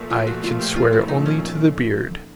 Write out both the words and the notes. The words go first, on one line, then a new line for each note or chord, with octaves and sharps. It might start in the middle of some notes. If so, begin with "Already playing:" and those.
"I could swear only to the beard."
Already playing: A#2 F3 A3
F4
F#4
F4
G4
F4
E4
D#4
C#4